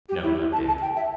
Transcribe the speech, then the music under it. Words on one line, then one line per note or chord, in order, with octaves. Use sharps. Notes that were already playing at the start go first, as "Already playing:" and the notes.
"No, not big."
G4
E4
A5
A5
G5
E5